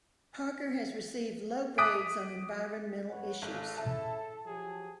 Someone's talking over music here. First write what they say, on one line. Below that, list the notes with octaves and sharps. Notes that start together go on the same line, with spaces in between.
Parker has received low grades on environmental issues.
D6 D#6 F#6 B6 D7
G2 B4 C#5 F#5
G#1 A2 G#3 A4 F5
C#3 E4 E5 A5
F3 F#3 G4 G#4